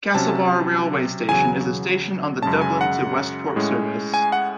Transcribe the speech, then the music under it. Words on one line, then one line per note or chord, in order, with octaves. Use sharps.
Castlebar railway station is a station on the Dublin to Westport service.
C3 F#3 C#4 A5
E2 C#3 F#3 G#5
F#2 C#3 G#3 C#4 A5
G#5
F#5
A2 G#3 C#4
G#5
F#5